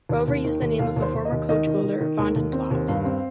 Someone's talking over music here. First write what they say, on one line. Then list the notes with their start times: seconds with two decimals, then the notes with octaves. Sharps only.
Rover used the name of a former coachbuilder, "Vanden Plas".
0.09 D#2
0.28 D#2
0.45 D#3
0.61 D#2
0.79 D#2 F5
0.96 D#2
1.02 C5
1.14 D#2
1.25 D#5
1.32 D#2
1.49 D#3 D#5
1.67 D#3
1.84 D#3
2.01 D#3
2.19 D#2
2.36 D#2
2.53 C4
2.71 D#2
2.88 G2 F5
3.05 C4